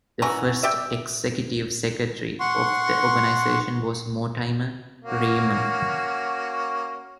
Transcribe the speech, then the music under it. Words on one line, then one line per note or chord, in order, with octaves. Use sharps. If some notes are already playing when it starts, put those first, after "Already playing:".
The first Executive Secretary of the organization was Mortimer Riemer.
E3 C#4 F#4 A#5
G4 D5 E5
F#5 C6 C#6
A#3 C#4 F#4